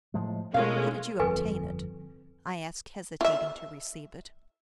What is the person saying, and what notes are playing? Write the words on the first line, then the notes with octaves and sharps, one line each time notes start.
"How did you obtain it?" I asked, hesitating to receive it.
A2 F3 G#3
B2 G#3 A3 C#4 F4 A#4 F5
G1 F2 A4 B4 G#5
E4 E5